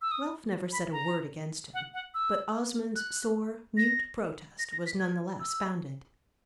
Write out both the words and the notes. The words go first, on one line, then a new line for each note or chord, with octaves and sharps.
Ralph never said a word against him, but Osmond's sore, mute protest was none the less founded.
E6
D#6
B5
A#5
F#5
F#5
E6
F#6
A#6
A#6
A#6
B6
G#6
E6